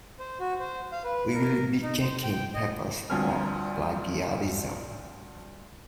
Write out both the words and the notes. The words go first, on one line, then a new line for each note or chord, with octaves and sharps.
We will be checking papers for plagiarism.
C5
F#4
C5
F5
B4
A#4
D#4
C5
G5
D#5
D2 G2 F3 C4 G#5 F6